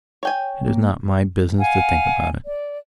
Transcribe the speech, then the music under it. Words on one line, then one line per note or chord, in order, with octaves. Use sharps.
It is not my business to think about it.
C#5 G5 G#5
A#3
F5 F#5 G#5
D5